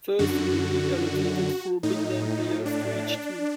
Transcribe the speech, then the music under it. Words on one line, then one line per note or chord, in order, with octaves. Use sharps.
First, the league allocated four "big name" players to each team.
F#2 D3 F#4
A2 D#4
D4